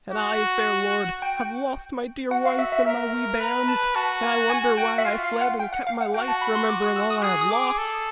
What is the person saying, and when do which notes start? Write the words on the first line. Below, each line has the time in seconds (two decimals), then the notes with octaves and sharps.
And I, fair lord, have lost my dear wife and my wee bairns, and I wonder why I fled and kept my life, remembering all I have lost.'
0.13 F#4
1.22 G5
2.31 F#4 F#5
2.45 F5
2.59 E5
2.72 E5
2.86 A#4
3.40 B4 A#5
3.68 A5
3.95 F#4 A5
4.23 G#5
4.50 G#5
4.78 G5
4.98 E5
5.05 F4 F5
5.23 F5
5.41 F#5
5.59 G5
5.73 F#5
5.87 F5
6.01 F#5
6.14 F#4 G5
6.28 A5
6.41 B5
6.55 C6
6.64 C#6
6.69 D6
6.82 D#6
6.96 E6
7.10 D#6
7.23 G#4 D#6
7.41 D#6
7.51 D6
7.78 A4